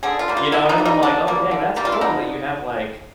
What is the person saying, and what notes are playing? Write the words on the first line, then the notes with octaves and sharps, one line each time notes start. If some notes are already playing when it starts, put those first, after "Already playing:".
you know what I mean? I'm like, "Oh, dang, that's cool that you have, like"
D3 G#4
F4
G3 A#3
F4
D3 E4
D#4
G3 A#3
D#4
D3 D4
G3 A#3
D3
G3 A#3
F4
E4
D3 D#4